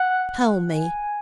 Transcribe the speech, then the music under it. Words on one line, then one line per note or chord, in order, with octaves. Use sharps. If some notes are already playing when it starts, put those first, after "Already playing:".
"Tell me!"
Already playing: F#5
G#5